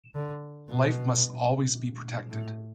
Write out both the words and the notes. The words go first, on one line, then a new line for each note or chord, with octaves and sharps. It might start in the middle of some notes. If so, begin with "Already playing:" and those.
Life must always be protected.
D3
B2
A2